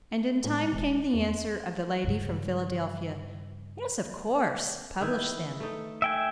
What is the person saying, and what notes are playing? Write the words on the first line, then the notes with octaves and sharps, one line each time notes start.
And in time came the answer of the lady from Philadelphia:--"Yes, of course; publish them."
A2 G#3
E1
E2
C6
G2 C#3
D#3 E4 B4
A3 D#4
E5 G5 G#5